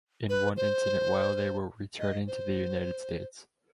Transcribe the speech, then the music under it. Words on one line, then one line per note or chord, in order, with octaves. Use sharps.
In one incident while they were returning to the United States.
B4
C5
D#5
C5